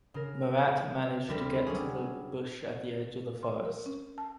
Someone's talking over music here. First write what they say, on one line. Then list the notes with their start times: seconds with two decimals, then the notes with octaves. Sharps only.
Marat managed to get to the bush at the edge of the forest.
0.14 C#3 A#4
1.29 D2 G3 C4 A#4 B5 E7
1.67 F#3 G3 C#4 D4 G#4
3.43 C6
3.65 A#4
3.86 C#4
4.18 A5